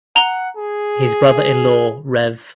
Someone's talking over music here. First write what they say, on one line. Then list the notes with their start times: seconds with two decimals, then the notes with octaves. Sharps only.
His brother in law Rev.
0.16 F#5 A#5 G7
0.56 G#4